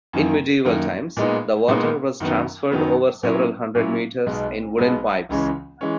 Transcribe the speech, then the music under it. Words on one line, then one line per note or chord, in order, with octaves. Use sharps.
In medieval times, the water was transferred over several hundred metres in wooden pipes.
F#2 D#3 A#3
F#2 D#3 A#3
A#2 G#3 B3 D#4
A#2 G#3 B3 D#4
F#2 D#3 F#3 B3
F#2 D#3 F#3 B3
A#2 F#3 C#4 E4
A#2 F#3 C#4 E4
B1 B2 G#3 B3
B1 B2 G#3 B3
C#2 C#3 E3 G#3 C#4
E3 G#3 C#4